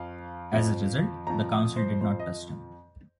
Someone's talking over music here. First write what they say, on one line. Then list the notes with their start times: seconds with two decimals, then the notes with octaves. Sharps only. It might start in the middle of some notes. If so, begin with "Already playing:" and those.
As a result, the council didn't trust him.
Already playing: F2 F3 F5
0.53 F2 F3
1.27 F2 F3 A#5
1.52 D#6
1.76 C5
2.01 F2 F3 C5
2.20 D#5